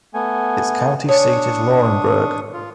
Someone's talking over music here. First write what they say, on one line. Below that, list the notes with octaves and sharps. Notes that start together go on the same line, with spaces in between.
Its county seat is Laurinburg.
A3 B3 G#5
D4 C#5 G#5 C#6 D#6
F4